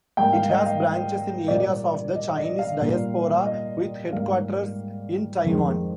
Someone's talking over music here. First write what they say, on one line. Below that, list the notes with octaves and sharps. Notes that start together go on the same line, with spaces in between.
It has branches in areas of the Chinese diaspora, with headquarters in Taiwan.
G#2 G3 A#3 G5
F5
D#5
F5
A#2 G3 A#3 D5
D#5
D#5
F5
A#2 G3 A#3
D#5
G#2 G3 A#3 F5
F2 D#3 G#3